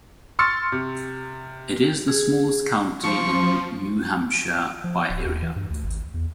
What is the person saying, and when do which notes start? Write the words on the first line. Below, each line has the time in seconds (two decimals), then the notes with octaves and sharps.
It is the smallest county in New Hampshire by area.
0.39 C6 C#6 E6 F6 A6 C#7
0.72 C3
2.08 G#4
3.03 F3 C6 C#6
4.84 F3
5.09 D1
5.25 D#2
5.42 E3
5.56 G2
5.70 D2
5.84 G#1
6.14 E2